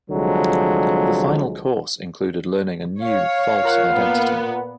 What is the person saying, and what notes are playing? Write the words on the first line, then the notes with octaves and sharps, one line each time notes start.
The final course included learning a new, false identity.
C2 D3 F3 F#3 G#3
C#5 F5
F4 A#4 F#5
A#2 B3